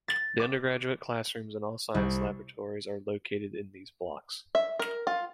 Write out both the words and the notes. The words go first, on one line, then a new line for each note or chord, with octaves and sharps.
The undergraduate classrooms and all science laboratories are located in these blocks.
A6
D6
C2
E5
A#4
F4